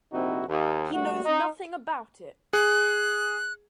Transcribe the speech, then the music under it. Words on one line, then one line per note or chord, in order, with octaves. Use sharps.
He knows nothing about it.
A#1 C3 C4 D#4 E4 F#4
D#2
A#1 G3 A3 F#4
D#4
G#4 F#6